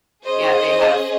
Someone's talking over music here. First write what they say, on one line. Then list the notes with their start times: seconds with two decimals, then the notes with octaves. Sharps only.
yeah, they have
0.24 C#4 G#4 C5 D#5